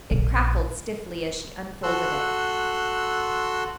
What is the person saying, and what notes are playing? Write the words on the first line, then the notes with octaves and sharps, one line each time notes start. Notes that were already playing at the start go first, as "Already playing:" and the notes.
It crackled stiffly as she unfolded it.
A#1
F#4 A4 C6 E6 F#6